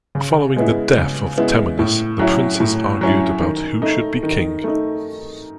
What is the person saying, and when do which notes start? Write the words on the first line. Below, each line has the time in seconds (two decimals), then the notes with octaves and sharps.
Following the death of Temenus, the princes argued about who should be king.
0.15 C#3
0.56 G#3 B3 E4
0.97 C#3
1.38 G#3 B3 E4
1.79 A2
2.19 F#3 C#4 E4
2.60 A2
3.01 F#3 C#4 E4
3.41 D#3
3.82 A3 D#4
4.23 D#3
4.64 A3 D#4